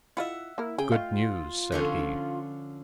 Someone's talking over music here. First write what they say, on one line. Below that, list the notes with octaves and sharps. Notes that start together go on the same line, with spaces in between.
"Good news," said he.
E4 F4 D#5 E5 F#5
A#3 E4 A#4
C#3 G#4 G5
A3 F4 D#5 F5
D3 F3 C#4